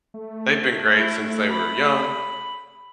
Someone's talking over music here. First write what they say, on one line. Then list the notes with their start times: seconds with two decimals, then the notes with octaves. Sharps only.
they've been great since they were young
0.14 A3
0.98 E4
1.50 B5